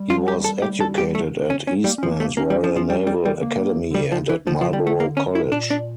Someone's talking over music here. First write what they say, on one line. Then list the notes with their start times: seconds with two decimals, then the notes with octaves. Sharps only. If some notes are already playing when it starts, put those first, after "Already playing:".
He was educated at Eastman's Royal Naval Academy and at Marlborough College.
Already playing: G3
0.10 F4
0.28 G4
0.44 A4
0.62 G4
0.80 A4
0.98 G4
1.15 A3
1.50 C#4
1.67 C#4
1.84 G3 A#3
1.98 C#4
2.03 F3
2.11 A#3
2.20 A3
2.24 A#3
2.37 A#3 C#4
2.50 G3
2.64 F3
2.76 F3
2.90 G3
3.07 G3
3.25 G3
3.42 A#3
3.91 D3
3.95 C#3 G3
4.12 F3
4.29 E3
4.47 D3 F3
4.59 C#3 F3
4.70 D3 G3
4.87 A3
5.00 A#3
5.17 C#4
5.35 E4
5.52 A#2 D4
5.71 D4